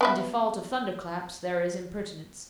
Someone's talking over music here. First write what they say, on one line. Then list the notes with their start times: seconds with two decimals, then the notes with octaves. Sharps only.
In default of thunderclaps there is impertinence.
0.01 B3 B4 E5